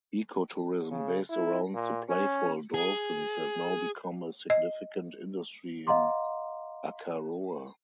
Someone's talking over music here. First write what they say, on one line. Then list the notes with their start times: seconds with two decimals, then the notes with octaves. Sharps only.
Eco-tourism based around the playful dolphins has now become a significant industry in Akaroa.
0.91 C#3
1.29 E4
1.74 A#2
2.09 C#4
2.74 G#4
4.50 D#5
5.87 D#5 F5 F#5 A#5 C6 D6